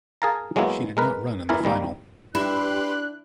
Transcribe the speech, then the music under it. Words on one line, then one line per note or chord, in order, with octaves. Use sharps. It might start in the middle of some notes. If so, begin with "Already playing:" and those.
She did not run in the final.
G#4 A#4 F5 A5 A#5
F#3 G#3 A#3 B3 E4
G#3 A#4 B4
E2 E3 E4 A#4 G#5
C2 D#3 G3 A#3
D4 E4 G4 B4 C6 F#6